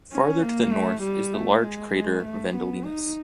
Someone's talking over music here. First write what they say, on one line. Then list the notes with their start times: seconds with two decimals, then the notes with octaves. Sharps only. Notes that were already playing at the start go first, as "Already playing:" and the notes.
Farther to the north is the large crater Vendelinus.
0.12 C#4
0.42 A#3
0.72 A3
1.03 G3
1.33 A3
1.63 G#3
1.94 G#3
2.24 A3
2.55 B3
2.85 D#4